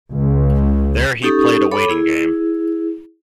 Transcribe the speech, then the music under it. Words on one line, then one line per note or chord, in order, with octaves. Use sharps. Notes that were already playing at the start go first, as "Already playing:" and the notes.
There he played a waiting game.
C#2
C#4 D#4 G4 A4 C#6 D#6
A4 C#5 B5 D6
E4 G#4